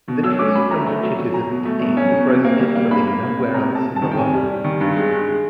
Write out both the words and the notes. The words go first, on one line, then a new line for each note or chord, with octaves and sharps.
The tree from which it is obtained grows naturally nowhere else in the world.
B2
F#3 E6
C#4 D6
F#3 B5
A3 A#5
A3 A#5
F#3
F#3
F#3 A#5
B2
A3
B2
C#4
B2
C3
A#3
G3
A#3
A#3 B5
A#3
A#3
C3
C3 A#5
C3
A5
C3
A5
D#3
G5
C3 G#5
G3
G3
D#3
G2
G#3
G#3
G#3